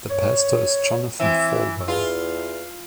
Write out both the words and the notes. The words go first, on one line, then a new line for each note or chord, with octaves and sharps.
The pastor is Jonathan Falwell.
C#5
E3 C4 E5
E2 F4